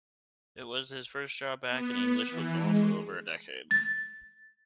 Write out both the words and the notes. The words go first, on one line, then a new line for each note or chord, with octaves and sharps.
It was his first job back in English football for over a decade.
B3
E3
G#3
A6